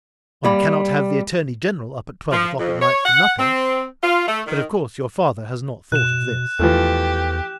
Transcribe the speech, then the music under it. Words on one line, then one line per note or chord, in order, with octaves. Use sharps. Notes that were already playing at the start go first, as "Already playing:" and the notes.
"One cannot have the attorney-general up at twelve o'clock at night for nothing;--but of course your father has not thought of this."
G3 A#3 B5
F3
F2
C#5
F#5
C4
F4
A3
D#3
B2 F#6 E7
E2 E3 F3 A3 G4